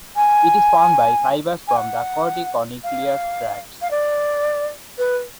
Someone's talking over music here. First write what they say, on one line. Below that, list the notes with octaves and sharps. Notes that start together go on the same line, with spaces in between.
It is formed by fibers from the corticonuclear tracts.
G#5
G#5
F#5
F5
F5
D5
B4